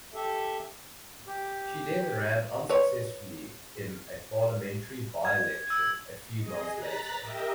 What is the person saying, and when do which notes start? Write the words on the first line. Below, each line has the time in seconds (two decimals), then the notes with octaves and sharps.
She then ran unsuccessfully in a parliamentary by-election a few months later.
0.14 G4 A4 E5
1.27 G4
2.69 B4 C#5
5.25 G#6
5.70 E6
6.39 G#4 D#5
6.75 A#5 F#6 A6 B6
7.21 G4 A#4 D#5 E5